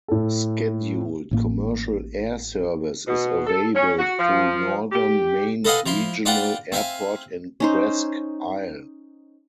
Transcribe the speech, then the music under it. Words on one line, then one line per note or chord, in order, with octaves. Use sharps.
Scheduled commercial air service is available through Northern Maine Regional Airport in Presque Isle.
A2 A4
A1 A2 A#3
B2
A4
C#4
F#4
F3
G4
A4 B4 D#5 F5 F#5 G#5
F3 E4 C6
D4 F4 B4 F#5 G5
C4 E5 F5 G#5
C#4 D#4 C5